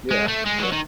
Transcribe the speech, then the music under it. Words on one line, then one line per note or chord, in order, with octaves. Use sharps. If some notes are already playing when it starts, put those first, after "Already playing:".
Yeah. Yeah.
G#3
A3
G#3
E3
F#3
D#3